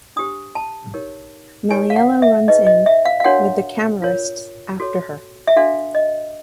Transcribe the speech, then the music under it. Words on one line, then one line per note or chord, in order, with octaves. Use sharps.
Maliella runs in, with the Camorrists after her.
D4 G4 C5 D#6
A5
D#4 G4 A#4 C#5
D#4 G4 A#4 C#5 G#5
F5
F#5
E5
D#4 G#4 B4 D#5
D#5
E5
F5
F5
D4 F#4 A#4 C#5 F#5
F4 A#4 C#5
F#4 A4 C#5
E5
D4 F#4 A4 F5
D#5